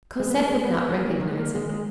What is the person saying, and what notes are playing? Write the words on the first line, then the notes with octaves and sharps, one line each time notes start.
Cosette did not recognize him.
G#3
B3
A#3
G#3
B3
B3
G#3
A#3
E3
D#3
G#3
A#3
G#3
G#3